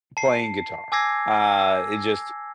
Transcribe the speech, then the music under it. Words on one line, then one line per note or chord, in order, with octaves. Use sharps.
playing guitar. Uh, it just
A5 C7
G#5 D6 E6 G#6 A#6 C7
E6